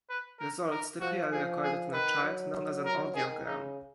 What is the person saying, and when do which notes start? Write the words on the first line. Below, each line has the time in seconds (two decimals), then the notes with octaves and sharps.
Results typically are recorded on a chart known as an audiogram.
0.10 B4
0.40 A#4
0.71 A#4
1.01 F3 F#4
1.32 F3 G#4
1.63 G#4
1.93 D#3 B4
2.24 F#3
2.85 A#4
3.15 D#3 G#4
3.46 C#3 D#4